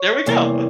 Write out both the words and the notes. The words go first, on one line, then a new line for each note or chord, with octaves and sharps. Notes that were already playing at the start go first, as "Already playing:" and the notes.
There we go.
Already playing: C#5
E2 C3 E3 G3 A#3